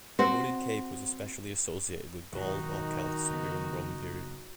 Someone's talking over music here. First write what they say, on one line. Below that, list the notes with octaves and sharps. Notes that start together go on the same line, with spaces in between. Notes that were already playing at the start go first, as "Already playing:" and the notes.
The hooded cape was especially associated with Gauls or Celts during the Roman period.
C4 F#4 C5
B1 G#2 D#3 D#4 F#4
F#1 B3